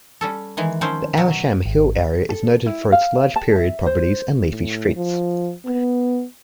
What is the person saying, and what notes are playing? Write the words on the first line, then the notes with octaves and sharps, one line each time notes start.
The Amersham Hill area is noted for its large period properties and leafy streets.
G3 C#4 A4
D#3 E3 G#3
D#3 F3 C4 C#4 C5
B2 F#3
G#1
A4
E4
F5
A5
E5
C5
A2
F3
B3